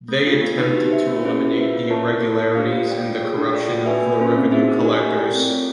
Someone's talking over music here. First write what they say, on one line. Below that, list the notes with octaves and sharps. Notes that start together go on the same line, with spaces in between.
They attempted to eliminate the irregularities and the corruption of the revenue collectors.
A3
D4 F4
B3
D#4 F#4 B4
G4
C5 E5
A#3
C#4 E4 G#4 C5
F#4
B4 E5
F4
A#4 C#5 E5 A5
E4
A4 C5
A#3
D4 G4 C5 F5
F4
A4 D5 G5
F4
G#4 C#5
D4
F4 A4 D5 G5
F#4
B4 E5 G#5
A#3
C#4 F4 A4 C5
C4
D#4 G#4 C5 E5
F#4
A#4 D#5 G#5
G4
A#4 D5 G5
C4
F4 A4 C#5